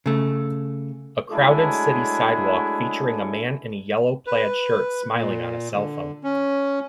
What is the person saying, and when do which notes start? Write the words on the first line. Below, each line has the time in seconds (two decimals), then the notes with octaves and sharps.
A crowded city sidewalk featuring a man in a yellow plaid shirt smiling on a cellphone.
0.06 C#3 A3
1.31 F#3 G#3 A3 D4 E4 G#4
4.26 B4
5.14 A#2
5.75 D3
6.23 C#4